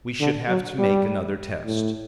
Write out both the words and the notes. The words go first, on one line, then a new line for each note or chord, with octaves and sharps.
We should have to make another test.
D3
F#3
G3
A2